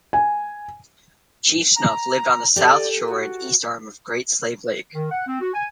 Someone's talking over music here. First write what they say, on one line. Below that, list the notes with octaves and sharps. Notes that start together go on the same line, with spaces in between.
Chief Snuff lived on the south shore and east arm of Great Slave Lake.
G#5
A#5
G4 A4 D5 D#5
F#4
D#3
F#5
C4
F#4
G#5